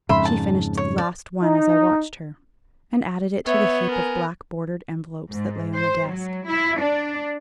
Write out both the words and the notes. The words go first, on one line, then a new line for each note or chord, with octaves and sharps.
She finished the last one as I watched her, and added it to the heap of black-bordered envelopes that lay on the desk.
F2 G#2 C#3 E5 B5 C6
A5
C#5
D5
D#4
B3 C#5 E5
A#4 G#5
G#2
C5
F#3
E4
D4